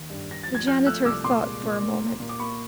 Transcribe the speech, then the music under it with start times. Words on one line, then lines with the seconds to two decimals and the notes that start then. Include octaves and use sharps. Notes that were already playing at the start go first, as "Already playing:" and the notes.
The janitor thought for a moment.
Already playing: D#2
0.10 G2
0.29 G2 A#6
0.43 F3 A6
0.55 G#6
0.67 F3 F6 G6
0.87 A3 E6 F#6
1.05 C2 D6 E6
1.24 A#2 C6 D6
1.43 G#3
1.63 A#2
1.82 A#2
2.01 A#3
2.20 A#2
2.29 D6
2.40 A#3 B5 C#6